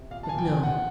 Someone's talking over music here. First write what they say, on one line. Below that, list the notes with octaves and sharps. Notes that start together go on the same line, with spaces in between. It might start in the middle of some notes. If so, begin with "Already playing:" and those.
But no.
Already playing: C3
A#2 F5
A5
G#5
A#2 G5
G#5
A#2
F#5